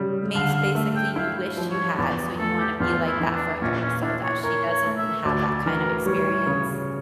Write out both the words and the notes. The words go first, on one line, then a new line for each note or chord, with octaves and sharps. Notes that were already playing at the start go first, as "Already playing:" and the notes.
miss basically you wish you had, so you wanna be like that for her, so that she doesn't have that kind of experience.
Already playing: C#3 G3
D3 F5
F5
A3 E5
G5
E4 F5
F3
C#5
E2 D5
A3 A4
G4
E2 F4
E4
E3
D4
A#2 C#4
C#4
D4 E4
C#5
A#4 C#5
C#5
A3
E5
D2 D5
E3 A#4
G3 C#5
C#3